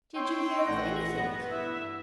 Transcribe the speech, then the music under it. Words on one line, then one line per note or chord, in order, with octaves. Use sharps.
"Did you hear of anythink?"
C#5 G5 C6 E6
A#1 E3 A3 F#5 A#6
G2 B3
E4 E5